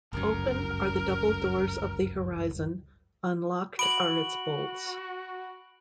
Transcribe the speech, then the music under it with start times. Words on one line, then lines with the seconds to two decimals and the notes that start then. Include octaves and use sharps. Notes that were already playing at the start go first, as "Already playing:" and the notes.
Open are the double doors of the horizon; unlocked are its bolts.
0.13 G1 C#2 F#2 A#4
3.79 F#4 B5 D7 F#7